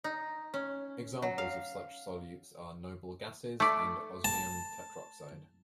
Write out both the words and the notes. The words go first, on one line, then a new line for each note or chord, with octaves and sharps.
Examples of such solutes are noble gases and osmium tetroxide.
D#4
C#4
F#3
F5
A3 D5
A5